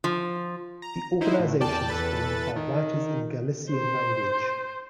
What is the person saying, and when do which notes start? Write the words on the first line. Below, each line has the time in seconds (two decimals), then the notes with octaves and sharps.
The organization is formed by writers in galician language.
0.04 F3
0.82 A#5
1.21 D#3 D#4 E4 C5
1.39 A2
1.60 E2 D5 G5 A5
1.88 E2 A4 B4 A6
2.56 D#3
3.71 C5